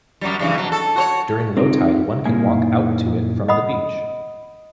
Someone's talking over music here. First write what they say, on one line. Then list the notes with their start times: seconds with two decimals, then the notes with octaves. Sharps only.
During low tide, one can walk out to it from the beach.
0.21 F#2 F#3 G3
0.39 G2 C#3 E3
0.54 B2 F#3
0.72 A4
0.96 F#4 C5 C#5
1.57 C4 D#4 F4 G4
2.26 F#2 A#2 A#3 D#4 E4 G#5
3.48 D#5 F#5 B5 D#6